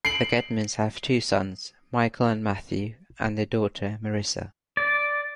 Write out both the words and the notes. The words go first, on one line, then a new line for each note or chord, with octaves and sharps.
The Gedmans have two sons, Michael and Matthew, and a daughter, Marissa.
C7 D7 F#7
D5